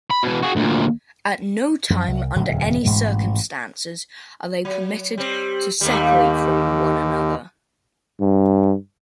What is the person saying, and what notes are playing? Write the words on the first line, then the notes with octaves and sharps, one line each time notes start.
At no time, under any circumstances are they permitted to separate from one another.
B5
B2 E3
F#4 G#4
D2 A#2
F#2 F3
C2
D1 A1 D3 F#3
D#1 F2 C#3
A1 G#2 B2 G#3
F#3
G3 C4
D#2 G3 A3 A#3
G2